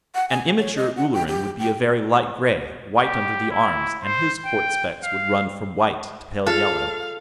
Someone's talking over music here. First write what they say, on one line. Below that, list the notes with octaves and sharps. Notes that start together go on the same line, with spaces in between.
An immature Ulleran would be a very light gray, white under the arms, and his quartz-specks would run from white to pale yellow.
F#5
G#5
C#5
D#5
F#5
G5
G4
G5
G4
E4
C5
G5
F5
F4 G#4 A4 F5